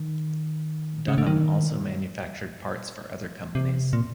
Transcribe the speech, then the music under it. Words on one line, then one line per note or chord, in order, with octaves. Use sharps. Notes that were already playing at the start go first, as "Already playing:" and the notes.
Dunham also manufactured parts for other companies.
Already playing: D#3
C#3
D3
D#3
C3
A#2